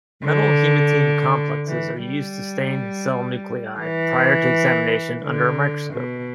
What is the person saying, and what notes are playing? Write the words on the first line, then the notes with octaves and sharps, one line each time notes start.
Metal-haematein complexes are used to stain cell nuclei prior to examination under a microscope.
D3
E3
G3
E3
D3
B2